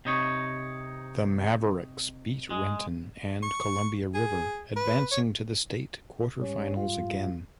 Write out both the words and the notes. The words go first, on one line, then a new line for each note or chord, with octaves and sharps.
The Mavericks beat Renton and Columbia River advancing to the state quarterfinals again.
C3 D#4 C#5
G#3
C#6
G#4
B4
C#5
G#2 G3 C#4
F4